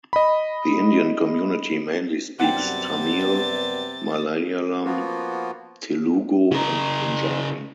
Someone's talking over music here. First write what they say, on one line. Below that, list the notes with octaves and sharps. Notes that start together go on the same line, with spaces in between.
The Indian community mainly speaks Tamil, Malayalam, Telugu and Punjabi.
D#5 B5
F#2 C3 G3 B3 F#5 G5 A6
F3 A#3 B3 F4 F#4
C#3 A#4